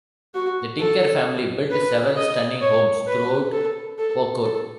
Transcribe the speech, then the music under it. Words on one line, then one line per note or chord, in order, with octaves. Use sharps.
The Tinker family built several stunning homes throughout Poquott.
F#4
A4
B4
D#5
C#5
B4
A4
A4
A4